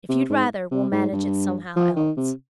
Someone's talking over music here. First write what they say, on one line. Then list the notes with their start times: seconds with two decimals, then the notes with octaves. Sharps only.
If you'd rather, we'll manage it somehow else.'
0.09 C3
0.30 G#2
0.71 C3
0.92 G#2
1.13 G2
1.76 F3
1.96 D#3
2.17 C3